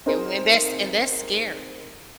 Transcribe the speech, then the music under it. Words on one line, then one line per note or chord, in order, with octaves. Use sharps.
and when that's and that's scary.
C4 D#4 G#4 A#4 C5